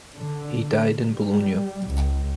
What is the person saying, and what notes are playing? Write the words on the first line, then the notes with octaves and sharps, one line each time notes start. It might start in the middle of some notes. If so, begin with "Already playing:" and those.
He died in Bologna.
D3
G3
C#2